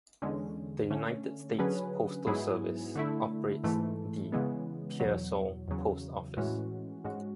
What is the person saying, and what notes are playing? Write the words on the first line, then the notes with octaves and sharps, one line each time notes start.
The United States Postal Service operates the Pearsall Post Office.
E2 D3 G#3 C#4
D3 A3 C#4
D3 F#3 C#4 G#4 B4
G#2 F#3 B3 E4 G#4
D3 A3 E4
G#2 E3 A3
C#3 E3 G#3 B3
E2 B2 F#3
E2 C#3 F#3
A2 E3 G#3 C#4 F#4
G#2 G#3 C#4 F#4